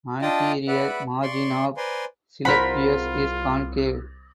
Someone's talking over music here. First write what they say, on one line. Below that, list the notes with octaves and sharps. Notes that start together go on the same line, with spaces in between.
Anterior margin of clypeus is concave.
D4 F4 D#5 G5 A5 D#6
B4 D5 E5 F#5 B5
D5 C6 C#6
B4 C5 D5 G#5 A#5 C6
C2 F4 A#4 C5 F#5 B5